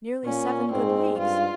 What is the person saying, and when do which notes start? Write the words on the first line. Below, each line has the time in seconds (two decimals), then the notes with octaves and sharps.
"Nearly seven good leagues."
0.24 A#2 C#4
0.72 G#2 C4
1.18 G2 F4